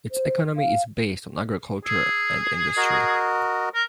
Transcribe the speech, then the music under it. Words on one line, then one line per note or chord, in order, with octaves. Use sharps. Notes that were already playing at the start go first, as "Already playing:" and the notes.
Its economy is based on agriculture and industry.
C5
F5
G#4 E6
F#4 A#4 D#5
A#4